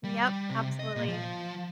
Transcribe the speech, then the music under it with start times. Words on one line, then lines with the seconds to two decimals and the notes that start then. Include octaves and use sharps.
Yep, absolutely.
0.04 G3
0.50 C3
0.79 D#5
0.96 A#2
1.08 F3